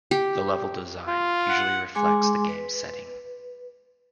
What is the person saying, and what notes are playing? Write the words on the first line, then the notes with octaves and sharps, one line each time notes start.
The level design usually reflects the game's setting.
G4
F4
F#5
G#3 G#4 G#5 C6 D6
B4